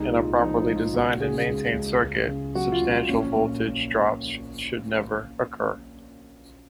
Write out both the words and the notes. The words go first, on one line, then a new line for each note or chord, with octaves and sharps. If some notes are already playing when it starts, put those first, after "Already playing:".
In a properly designed and maintained circuit, substantial voltage drops should never occur.
Already playing: C2 G#3 D#4
A#2 F4
F3 D#4
D#4
G#3
F4
C#2 F#4
C#3 G#4
G#3
C#2
C#2
C#3
F#3 F#4
F4
C#2
F4
A#1 C#4
A#2